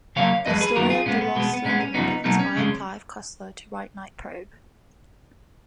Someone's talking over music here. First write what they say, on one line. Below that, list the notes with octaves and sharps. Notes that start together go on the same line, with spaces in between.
The story of the lost locomotive inspired Clive Cussler to write Night Probe!
C#3 F#3 A#3 C#5 F5
F#2 F3 G#3 B4 D#5
G#4 B4
F#2 D#3 A#3 F#4 A#4
F4 G#4
A#2 G#3 B3 C#4
B3
B2 G#3 B3
B3
A#2 G#3 B3 C#4
C#4
F#2 C#3 F3 B3 D#4
B2 F#3 A#3 B3 D#4
C#4
F2 C#3 G#3